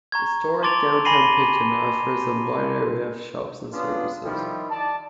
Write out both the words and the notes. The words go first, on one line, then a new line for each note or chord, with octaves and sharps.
Historic downtown Picton offers a wide array of shops and services.
A#5 C#6 G#6
A5 C6 D6 A6 D7 F7
G#5 B5 A#6 C7 D#7 G7
B3 C#4 D4 F4
D#3 F3 G3 E4 F4
D5 A5